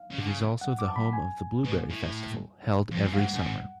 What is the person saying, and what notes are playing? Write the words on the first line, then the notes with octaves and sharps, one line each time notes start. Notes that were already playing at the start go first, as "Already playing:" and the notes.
It is also the home of the blueberry festival held every summer.
Already playing: F5
C#3
D3
C#3
F#5
D6
A5
B5
G#5
B2
A2
F2
F#2
F5
G#2 F#5
F#2
G#2